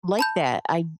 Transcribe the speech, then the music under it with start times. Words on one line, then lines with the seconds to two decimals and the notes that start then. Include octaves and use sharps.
like that. I
0.19 A5 B5 G6